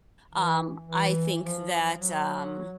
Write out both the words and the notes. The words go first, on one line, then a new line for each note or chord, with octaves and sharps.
Um, I think that, um
E3
E3
F3
F#3